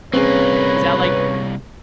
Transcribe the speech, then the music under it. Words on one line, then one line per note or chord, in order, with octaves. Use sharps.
Is that like
C2 A#3 C4 C#4 G#4 B4 C#5